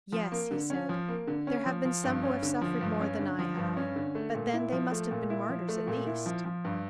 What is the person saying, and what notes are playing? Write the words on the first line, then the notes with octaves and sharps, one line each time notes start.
"Yes," he said, "there have been some who have suffered more than I have, but then they must have been martyrs at least."
F3
A#3
D3
C#4
F3
A#3
D3
C#4
F3
F3
G2
C#4
D3
F3
G2
C#4
D3
F3
G2
C#4
D3
A3
A#2
E4
F3
A3
A#2
E4
F3
A3
A#2
E4
F3
F3
G2